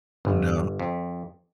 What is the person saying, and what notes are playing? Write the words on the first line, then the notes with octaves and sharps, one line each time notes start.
Oh, no.
G1
F2